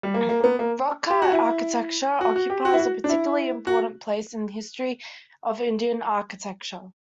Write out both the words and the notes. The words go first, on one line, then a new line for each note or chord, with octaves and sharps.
Rock-cut architecture occupies a particularly important place in the history of Indian Architecture.
G3
A#3
A#3
A#3
B3
A#3
G4
F#4
E4
F#4
F#4
G4
F#4
E4
F#4
D4
E4
F#4